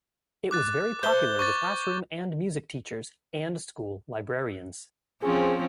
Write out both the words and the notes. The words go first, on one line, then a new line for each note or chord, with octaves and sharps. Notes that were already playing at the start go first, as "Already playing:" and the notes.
It was very popular with classroom and music teachers and school librarians.
D6 F#6 A6
B4 C5 E5 G6 G7
C#6 D6 A6
F3 C4 C#4 G#4